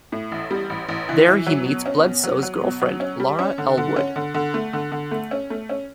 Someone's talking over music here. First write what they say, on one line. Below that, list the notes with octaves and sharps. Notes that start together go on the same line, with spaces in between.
There he meets Bledsoe's girlfriend, Laura Elwood.
A2
A1
G3
A1
A1
E3
E3
F#3
B2
C#4
B2
F#3
F#3
B2
F#3
C#4
G3
C#4
D3
D3
C#4
D3
D3
A3
D3
D3
A3
C#4
A3
C#4